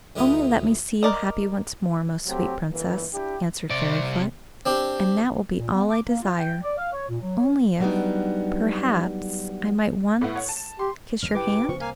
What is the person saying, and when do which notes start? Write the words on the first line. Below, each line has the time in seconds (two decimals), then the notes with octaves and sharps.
"Only let me see you happy once more, most sweet Princess," answered Fairyfoot, "and that will be all I desire--only if, perhaps, I might once--kiss your hand."
0.16 D2 G3 B3 E4 F4 D#6
1.03 A#4 D5 D#5
2.26 F#3 A3 C4 G4
2.71 G1 A#2 E3
3.13 D4 E4 G4
3.70 C3 D5
4.66 C4 D4 G4
5.59 A#2
5.73 B3
5.90 D6
6.06 A#3
6.21 F4
6.39 G5
6.63 D5
6.78 F5
6.93 C#5
7.08 A#2
7.20 F#3
7.38 C#5
7.80 F#3 G3 B3 D4 D#4
10.21 A2 B3 E4
10.36 C#5 F#5
10.49 A5
10.79 G4 C6
11.22 F1 D#2 G3 F6
11.35 G2 C#3 E4 G4 B4 G5 D6
11.69 C#3 F3 B3 C5 C#6
11.81 C2 A#3 F5 G#5